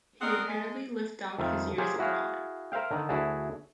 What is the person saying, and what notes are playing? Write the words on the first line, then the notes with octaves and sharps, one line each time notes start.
He apparently lived out his years abroad.
C4 D4 G#4 A#4 D#5 F#5
G#3
F2 D#3 E5 F5 A5
F4 G4 G#4 A#4 C5 C#5
E4 F#4 G#4 F5
A#4 C5 E5 F5 G5
D3 D#3
D2 E4 F#4 G#4 A5